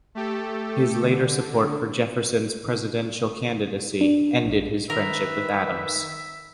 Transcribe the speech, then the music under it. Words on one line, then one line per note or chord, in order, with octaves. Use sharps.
His later support for Jefferson's presidential candidacy ended his friendship with Adams.
A3 G4 A4
D3
D4
A#1
D#3 A#4 B4 E5